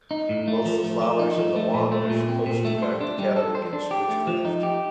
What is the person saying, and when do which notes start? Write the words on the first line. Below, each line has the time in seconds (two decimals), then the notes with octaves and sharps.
Both the flowers and the wand are supposed to guard the cattle against witchcraft.
0.11 D#4
0.29 A2
0.48 A3
0.66 F3
0.84 A3
1.02 F3
1.19 D#4
1.38 F3
1.56 A3
1.74 A#2
1.92 A3
2.10 A#2
2.28 C4
2.46 A#2
2.65 A3
2.82 C5
3.01 D4
3.19 G3
3.36 A4
3.55 C5
3.73 D4
3.91 G4
4.09 A3
4.27 F3
4.45 D#4
4.63 G4